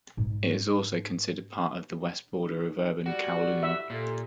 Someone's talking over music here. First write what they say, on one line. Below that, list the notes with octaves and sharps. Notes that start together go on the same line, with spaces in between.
It is also considered part of the west border of urban Kowloon.
G#2 D#4
D#4
G3 F#4 D5
E5
A#2 G4 A4